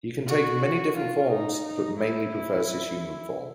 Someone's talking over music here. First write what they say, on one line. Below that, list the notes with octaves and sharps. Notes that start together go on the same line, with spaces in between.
He can take many different forms but mainly prefers his human form.
F#4
F4
D#4
D#4
E4